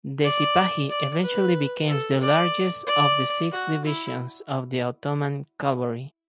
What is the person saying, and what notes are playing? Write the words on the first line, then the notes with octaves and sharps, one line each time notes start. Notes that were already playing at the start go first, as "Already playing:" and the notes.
The Sipahi eventually became the largest of the six divisions of the Ottoman cavalry.
D5
D5
B4
A4
D5
D5
F#4
E4